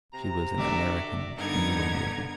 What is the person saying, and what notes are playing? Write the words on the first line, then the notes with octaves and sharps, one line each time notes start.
She was an American, a New Englander.
C3 A#5
D3 F#4 A4 D5 E5
G2 D3 B3 D#4 A#4 G#6